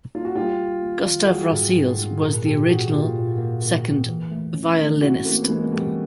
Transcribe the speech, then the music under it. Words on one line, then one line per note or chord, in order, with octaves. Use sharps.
Gustave Rosseels was the original second violinist.
F4
F#4
G3 F4 G4
A#3
A#3
D#3
A4
G3 F#4 G#4
G#2
G#2
G#2
A#2 G#4 A#4
A#2 G4 A4
A#2 F#4 G#4
A#3 F4 G4
A#2
A#3
A#3
A#3
E3
A3
C#4
A3
C#4 E4 F#4
A3 A#3 C4
B3
E3 G#3 A#3
E3 G3 A3